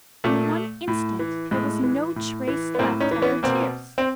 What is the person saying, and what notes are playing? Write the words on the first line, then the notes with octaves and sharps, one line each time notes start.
In one instant there was no trace left of her tears.
A#2 A3
A2
E3
A2 G#3
E3
A2
E3
B3
A2 A#3 C4
C#4 D#4
E3
B3 C#4
B2 A#3 C4
C4